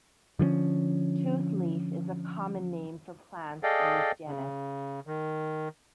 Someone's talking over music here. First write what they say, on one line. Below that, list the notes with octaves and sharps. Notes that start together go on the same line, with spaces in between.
Toothleaf is a common name for plants in this genus.
D3 F3 G3 C#4
G#4 A4 D5 D#5 F5 G5
C#3
D#3